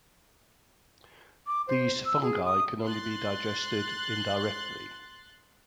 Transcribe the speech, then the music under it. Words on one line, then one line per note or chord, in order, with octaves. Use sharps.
These fungi can only be digested indirectly.
D6
C5
E6
G#4
D#6
C6 F#6 A6